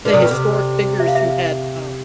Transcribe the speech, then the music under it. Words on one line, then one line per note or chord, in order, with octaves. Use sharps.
the historic figures who had, um,
D3 B4
C3 A4
B2 B4
C3
D5
E5
F5
E5